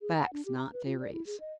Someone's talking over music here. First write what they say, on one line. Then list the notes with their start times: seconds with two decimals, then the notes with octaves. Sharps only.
Facts, not theories.
0.01 G#4
0.19 F#5
0.33 D4
0.45 G4
0.57 A#5
0.73 B4
0.86 F4
1.00 D5
1.13 E4
1.26 G#4
1.40 D#5